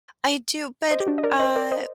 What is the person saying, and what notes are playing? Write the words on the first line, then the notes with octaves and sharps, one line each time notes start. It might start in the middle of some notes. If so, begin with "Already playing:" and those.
I do, but, uh,
C5 D#5
G4
D4 F#4
D#5
A#4 D5
C5 D#5
A#4 D5
C5 D#5